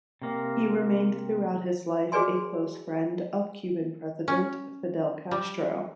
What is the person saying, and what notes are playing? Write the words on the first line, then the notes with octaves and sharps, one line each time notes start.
He remained throughout his life a close friend of Cuban president Fidel Castro.
C3 A#3
F#4 G#4 B4 D5 G#5 C6
C#4
G3